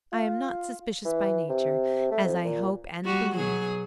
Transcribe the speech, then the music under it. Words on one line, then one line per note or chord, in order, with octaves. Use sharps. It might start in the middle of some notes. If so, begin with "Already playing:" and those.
I am not suspicious by nature, as I hope and believe.
F4
E3
C3
A3
F2
A#2
G3 F#4
B2 F#3 G#4